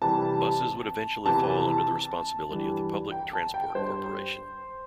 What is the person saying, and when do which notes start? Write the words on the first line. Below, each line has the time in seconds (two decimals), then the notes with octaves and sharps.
Buses would eventually fall under the responsibility of the Public Transport Corporation.
0.02 C3 E3 G3 A5
1.26 E2 C3 E3 A5
2.50 G2 E3 G3
3.12 G5
3.33 A5
3.54 G5
3.75 G2 G3 C5